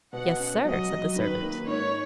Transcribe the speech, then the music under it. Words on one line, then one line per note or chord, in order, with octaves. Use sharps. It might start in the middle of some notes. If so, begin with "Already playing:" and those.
"Yes, sir," said the servant.
B2 F#5
C#4
F#3 D#5
F#3
D#3 B4
A#3
G#2 C#5